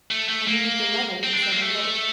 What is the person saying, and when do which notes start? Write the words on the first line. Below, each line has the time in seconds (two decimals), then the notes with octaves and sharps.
"I mean of the letter he said you wrote."
0.11 A3
0.29 A3
0.48 A#3
1.24 C4
1.33 D4
1.43 C4
1.52 A#3
1.61 A3